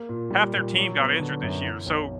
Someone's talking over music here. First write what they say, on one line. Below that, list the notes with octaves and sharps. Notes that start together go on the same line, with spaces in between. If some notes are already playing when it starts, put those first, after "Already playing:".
half their team got injured this year, so
Already playing: A#3
A#2
G3
A#2
F#3
B3
D3
F#2
E3
B1